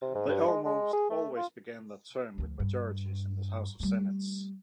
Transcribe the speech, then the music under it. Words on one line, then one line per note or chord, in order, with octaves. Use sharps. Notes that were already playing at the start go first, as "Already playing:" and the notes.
They almost always began their term with majorities in the House and Senate.
C3
G#2
G2
G#3
G#3
G#4
A3
F4
D2 F3
G2
G3 A3